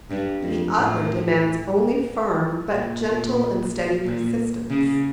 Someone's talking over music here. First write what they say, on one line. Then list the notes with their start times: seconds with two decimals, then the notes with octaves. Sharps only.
The other demands only firm, but gentle and steady persistence.
0.10 G2
0.42 F2
0.76 A2
2.73 A#2
3.05 A#2
4.04 A#2
4.70 C#3